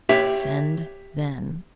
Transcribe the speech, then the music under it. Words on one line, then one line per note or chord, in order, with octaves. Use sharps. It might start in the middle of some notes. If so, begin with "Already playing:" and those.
"Send then."
G4 C#5 E5